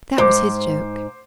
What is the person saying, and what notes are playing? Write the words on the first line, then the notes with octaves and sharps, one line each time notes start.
'That was his joke.
G#2 C5 D6